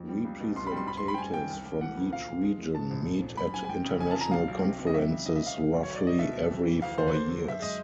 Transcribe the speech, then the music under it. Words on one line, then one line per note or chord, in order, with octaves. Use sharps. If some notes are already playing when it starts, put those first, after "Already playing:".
Representatives from each region meet at International Conferences roughly every four years.
Already playing: F2 F3
G3
C#2
B2
C2 C6
G3 B5
C6
F#1 B5
C6
F#1
B5
G5
G3 G#5
D#3 G5
C2
C2
E3 F#5
D2
A#2 F5
F3
G#3
E3
G#2 A5
A#1
F1
F1
F#2 B5
F#1 G#5
G#5
F#2 G5
C#3
F1 G#5
A5
F3 A#5
B1 F5
B1
C3
C3
D#5
F#3 E5
C#2
C3 D#5
E5
C3
F5
B1
B1
C#5
D2
D5
D2 D#5
B2 E5
B1
F2
E3
D2 F5
D3 C5
B4
A#3 C5
F#3
F#2 E5
G#3 D#5